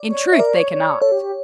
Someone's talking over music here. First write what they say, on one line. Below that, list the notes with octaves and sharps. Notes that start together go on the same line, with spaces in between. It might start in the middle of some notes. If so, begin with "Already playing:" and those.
In truth they cannot.
Already playing: D5
C#5
C#5 E5
A#4 D5
C#5
C#5
A4 C#5
G4
G4